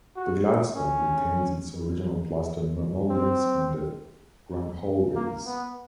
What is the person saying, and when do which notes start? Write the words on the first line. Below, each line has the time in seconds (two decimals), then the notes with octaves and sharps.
The Gladstone retains its original plaster mouldings in the grand hallways.
0.16 F#4
0.75 C#4
3.10 C4
5.15 A#3
5.45 B3